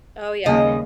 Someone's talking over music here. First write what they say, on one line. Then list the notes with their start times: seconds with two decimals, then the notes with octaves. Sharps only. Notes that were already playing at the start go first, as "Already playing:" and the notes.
Oh, yeah.
0.46 D#2 C#3 G3 D#5 G#5